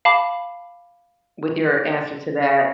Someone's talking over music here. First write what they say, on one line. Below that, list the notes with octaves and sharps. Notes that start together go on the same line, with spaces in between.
with your answers to that.
F5 A5 B5 D6